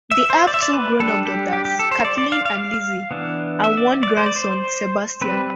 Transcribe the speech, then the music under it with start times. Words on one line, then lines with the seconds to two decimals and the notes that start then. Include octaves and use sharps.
They have two grown-up daughters, Kathleen and Lizzie, and one grandson, Sebastian.
0.11 E5
0.30 C5
0.47 D5
0.54 E5
0.62 D5
0.73 B4
1.00 G3 D4 A4
1.25 G4
1.53 G4
1.65 G4
1.79 A4
1.91 C5
2.05 D5
2.18 D5
2.32 F5
2.45 F5
2.58 F5
3.11 E3 B3 D4
3.64 E5
3.77 D5
4.03 D5
4.17 C5
4.26 D5
4.36 C5
5.21 G3 C4 B4